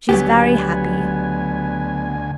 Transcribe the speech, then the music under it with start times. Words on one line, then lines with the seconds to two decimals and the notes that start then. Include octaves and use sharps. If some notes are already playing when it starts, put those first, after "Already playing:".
She's very happy.
0.09 D2 F#3 B3 G4 G#5